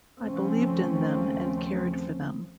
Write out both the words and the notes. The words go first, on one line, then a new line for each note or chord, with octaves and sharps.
I believed in them and cared for them.
D#2 C#3 F3 A3 C4 C#4